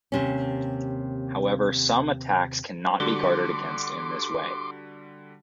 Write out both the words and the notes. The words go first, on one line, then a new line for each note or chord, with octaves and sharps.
However, some attacks cannot be guarded against in this way.
D#2 C3 C#4
D3 G3 F#4 C6 D6